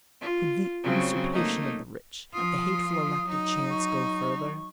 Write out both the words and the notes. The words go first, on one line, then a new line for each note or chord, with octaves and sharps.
Could the usurpation of the rich, the hateful elect of chance, go further?
F4
C#3 F#3 C4
A3 A#3 D#4
F3 F4 D#6
F#3 D#4
C#6